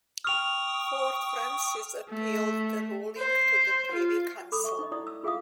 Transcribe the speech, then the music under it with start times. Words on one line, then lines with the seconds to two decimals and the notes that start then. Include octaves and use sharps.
Fort Frances appealed the ruling to the Privy Council.
0.24 G5 C#6 D#6 F6 F7
2.10 A3
3.17 C5
3.92 F4
4.52 A4 A#5 B5 D6 D#6
4.64 E5 C#6
4.79 D#4 D#5
4.92 E4 D5 D#6
5.07 E6
5.23 F4 G#4 E5 F5 D#6